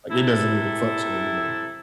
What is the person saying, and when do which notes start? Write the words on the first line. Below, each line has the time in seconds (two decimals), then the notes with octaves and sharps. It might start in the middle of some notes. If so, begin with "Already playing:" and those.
like, it doesn't even function anymore.
0.11 C3 E4 A4